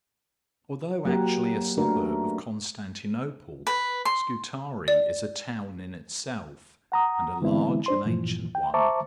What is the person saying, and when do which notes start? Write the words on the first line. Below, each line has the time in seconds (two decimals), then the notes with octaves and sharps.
Although actually a suburb of Constantinople, Scutari is a town in itself, and a large and ancient one.
1.05 F#3 A#3 G4 A#4 F#5
1.78 A3 C#4 D4 F#4 A#4 B4
3.67 B4
4.05 C6
4.88 D5
6.92 F#5 A#5 D#6
7.42 D3 E3 G#3 B3 C4 E4
7.86 D4 C5 C6
8.05 G2 A#2 E3 F3
8.55 G5
8.74 C5 E5 A5 A#5 C#6 D6